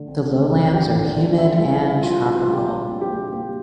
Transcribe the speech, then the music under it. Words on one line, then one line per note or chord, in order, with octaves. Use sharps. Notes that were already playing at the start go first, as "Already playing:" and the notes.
The lowlands are humid and tropical.
Already playing: D3 A3
C4
A3
F2
D3 G4 G5
D3
D3
C4 E4 E5
G3
C4
C4 F4
F4
C4
F4
G3
G4
A#2
C4
G4
A#2
A#2 G4